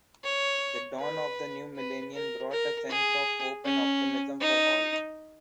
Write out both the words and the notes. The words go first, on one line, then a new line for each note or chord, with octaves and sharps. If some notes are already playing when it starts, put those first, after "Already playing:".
The dawn of the new millennium brought a sense of hope and optimism for all.
C#5
B4
B4
A#4
A#4
G#4
C#4
D#4